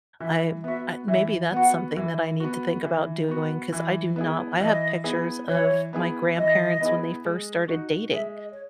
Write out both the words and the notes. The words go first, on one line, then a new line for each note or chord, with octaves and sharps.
I I maybe that's something that I need to think about doing, 'cause I do not I have pictures of my grandparents when they first started dating
E3 E5
B3 F#4 E5
E3 E5
B3 F#4 F#5
E3
B3 F#4
E3
B3 F#4
E3
B3 E4 G#4
E3 D#5
B3 E4 G#4
E3 C#5
B3 E4 G#4
E3 D#5
B3 E4 G#4
G#3
D#4 F#4
G#3 E5
D#5
C#5